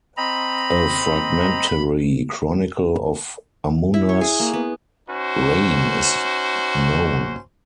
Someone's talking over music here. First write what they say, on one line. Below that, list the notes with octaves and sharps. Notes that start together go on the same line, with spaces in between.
A fragmentary chronicle of Ammuna's reign is known.
C4 D#5 A#5 B5
E4
C#5
G#4
A#3
B3
C#4 D#4 F#4 C5